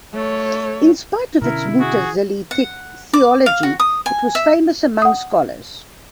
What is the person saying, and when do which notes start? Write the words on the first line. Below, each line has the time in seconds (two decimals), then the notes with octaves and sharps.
In spite of its Mu'tazili theology it was famous among scholars.
0.13 A3 C#5
1.42 B2 D3 C#4 E4 A#4
1.80 F#4 G#4
2.51 F#5
3.13 D6
3.46 F5
3.63 F#4
3.80 D#6
4.06 G#5
4.35 E5
5.02 F#5 D#6